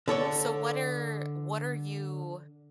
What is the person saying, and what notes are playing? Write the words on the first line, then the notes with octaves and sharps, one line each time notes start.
So, what are what are you
D3 A4 C#5 D5